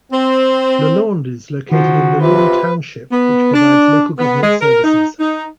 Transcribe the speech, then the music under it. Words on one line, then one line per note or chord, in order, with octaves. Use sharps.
Leland is located in Leland Township, which provides local government services.
C4
D#3 F3 F#4
C3 F4 B4
B3
D4
B3
G#3
A#4
D#4
D#4